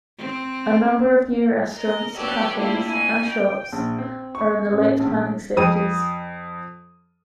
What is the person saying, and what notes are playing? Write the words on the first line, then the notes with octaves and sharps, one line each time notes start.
A number of new restaurants, cafes, and shops are in the late planning stages.
C4
A#4 D#5
F#4 G4 A4 B4 C#5 D5
G3 A3 A#3 D4 E4 F4
F2 G#5
G5
A#1
C4
C#6
A1
A#1
F2 D#6 D#7